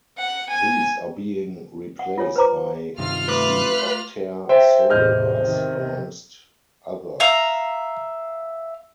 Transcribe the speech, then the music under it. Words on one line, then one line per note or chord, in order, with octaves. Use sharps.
These are being replaced by the Optare Solo bus, amongst others.
F#5
G#5
F#5
F4 C#5 G#5
B4 C5 A#5 D6
G2 C3 D#3 F4 F6
A3 B4 D6
C5 E5 G5
E2 A2 C3 D#5 F6 G6
C3 D#3
E5 F5 A#5